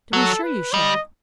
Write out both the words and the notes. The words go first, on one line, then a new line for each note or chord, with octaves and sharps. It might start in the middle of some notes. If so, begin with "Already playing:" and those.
"To be sure you shall."
F#3 A4
B4
G3 D#5